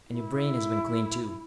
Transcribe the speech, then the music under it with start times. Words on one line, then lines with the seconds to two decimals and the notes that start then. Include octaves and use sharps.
And your brain has been cleaned, too....
0.09 E4